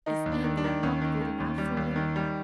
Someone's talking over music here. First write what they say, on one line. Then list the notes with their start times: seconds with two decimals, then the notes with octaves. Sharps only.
"Is England not good enough for you?"
0.06 D#3 D#4
0.26 D#2
0.32 D4
0.44 D#3
0.57 D4
0.64 D#3
0.83 D#2 C#4
1.01 D#3
1.21 D#3
1.40 D#2
1.58 G3
1.77 D#2
1.96 D#3
2.16 G3